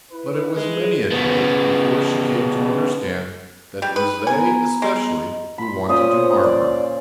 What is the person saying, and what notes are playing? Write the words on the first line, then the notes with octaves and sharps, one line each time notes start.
But it was many a day before she came to understand that it was they especially who wanted to harm her.
E4 B4
G#3
C#3 B3
G3
D#4 B4
B3 G#5 A#5
G#3
B5 C6
A#2 C#4 C5 D#6
D5